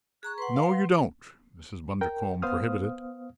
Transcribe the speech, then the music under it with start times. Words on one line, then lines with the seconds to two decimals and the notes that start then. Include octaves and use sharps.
"No, you don't!" Mrs. Bundercombe prohibited.
0.23 G#4 A#5 C#6 F#6
0.38 B4 F#5 C6
0.56 F5
2.01 A#4 G5
2.42 B3 C5 F5 D#6 F6